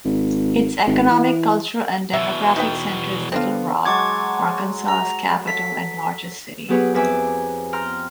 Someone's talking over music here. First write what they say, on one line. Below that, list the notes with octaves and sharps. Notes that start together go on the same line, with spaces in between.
Its economic, cultural, and demographic center is Little Rock, Arkansas's capital and largest city.
G#1
G#1
E3
E2 B2 E5
D#4 B4 G5
D3 B3 C4 D4 F4
F#3 G#3 A5 C#6 D6 G#6
A#5
A4 B6
F#3 B3 G4 G#4 B4 C#5
F2 B4 C#5 E5 G#5 D6
G5 A#5 C6 F6